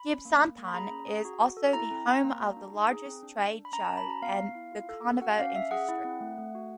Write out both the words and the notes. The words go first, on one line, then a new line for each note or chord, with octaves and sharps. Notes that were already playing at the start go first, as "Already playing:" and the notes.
Gibsonton is also the home of the largest trade show in the carnival industry.
Already playing: B5
C#4
A#3
A#3
A#3
B5
G#4 A#5
C#4
G#4
F#4
F#4
A4
E4 A#5
C4
C4
A#3
F#4
D4
D#4
G#4
C4
D4
D4
D4
B5
C#4 A#5
A5
C#4
B5
F#4 A#5
B3 F5
B3
E4
F4
A4
C#4
F#4 F#5
C#4 F5
C#4 E5
G#4 F#5
E4
C4
A3
A3
F#4